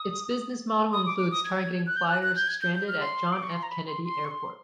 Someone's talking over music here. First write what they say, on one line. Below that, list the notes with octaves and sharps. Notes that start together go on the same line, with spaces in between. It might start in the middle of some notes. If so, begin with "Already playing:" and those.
Its business model includes targeting flyers stranded at John F. Kennedy Airport.
Already playing: D#6
D#6
D6
D6
D#6
G#6
F#6
G6
F#6
F#6
G6
G#6
G6
G6
F6
C6
D6
C#6
C6
A#5
B5
C6
C6
C#6
C6